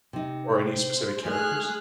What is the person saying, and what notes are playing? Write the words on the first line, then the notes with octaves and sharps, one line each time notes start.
or any specific characters?
C3 D#4
C5
G#3 A3 D#4 G#4 F6 F#6